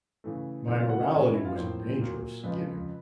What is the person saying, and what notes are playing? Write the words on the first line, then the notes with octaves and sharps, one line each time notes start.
My morality was in danger of skidding.
C#3 E3 A3
F#2 C#3 E3 A3 C4 C5
F4 F5
F#4 F#5
F#4 F#5
A2 E3 G#3 B3 C#4 C#5
C#4 C#5
E4 E5
F4 F5
A2 F3 A#3 C4 C5
A#2 F#3 A#3
F2 C#3 F3 G#3 B4